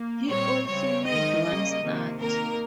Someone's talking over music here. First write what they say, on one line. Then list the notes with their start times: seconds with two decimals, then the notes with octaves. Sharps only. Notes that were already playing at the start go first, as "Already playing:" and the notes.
He also made one start.
Already playing: A#3
0.28 A#2 G3 C4 C#5
0.66 C#3 G3 C4 C#5
1.05 D#3 G#3 C4 D#5
1.43 C#3 G3 A#3 D#5
1.82 C3 D#3 A#3
2.20 D#3 A#3 A#4